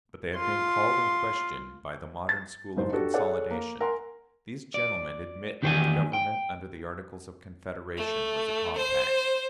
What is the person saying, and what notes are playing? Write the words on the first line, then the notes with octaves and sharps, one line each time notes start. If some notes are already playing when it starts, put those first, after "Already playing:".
But they have been called in question by the modern school of consolidation. These gentlemen admit that the Government under the Articles of Confederation was a compact.
F4 C6
A6
F#1 G#2 C5
D4 F#4 G4 A4
G#4 A4 C#5 D5 F#5
A#3
A#4 F#5 G#5 C6
D5
E2 D#3 G4 C5 D5 G#5
G5
A3
C5